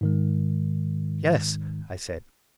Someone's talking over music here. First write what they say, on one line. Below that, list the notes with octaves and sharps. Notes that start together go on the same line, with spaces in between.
"Yes," I said.
G#2 D#3 G#3